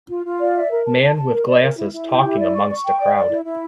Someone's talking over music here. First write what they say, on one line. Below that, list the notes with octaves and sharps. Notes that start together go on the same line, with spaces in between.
Man with glasses talking amongst a crowd.
F4
F4
D5
E5
A#4
A5
A5
A5
A#4
D5
A#4
E4
E4
G4
E4
D5
C#6
C#6
G5
D5
D5
E4
E4